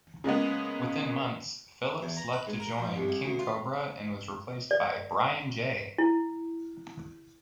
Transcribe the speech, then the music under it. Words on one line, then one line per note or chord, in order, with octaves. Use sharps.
Within months, Phillips left to join King Kobra and was replaced by Brian Jay.
C#3 G#3 A#3 B3
E2
A#5
B4
G#2
A#4
F3
C2
C2
D2
F4
D5
E4